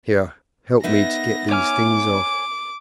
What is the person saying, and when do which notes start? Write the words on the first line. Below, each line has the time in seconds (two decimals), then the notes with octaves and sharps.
"Here, help me to get these things off."
0.84 B3 D#4 E5 A#6
1.51 C#5 G#5 D6 F6